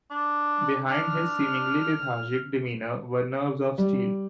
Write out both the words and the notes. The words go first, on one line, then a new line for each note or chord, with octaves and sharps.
Behind his seemingly lethargic demeanor were nerves of steel.
D4
D4 F6
G3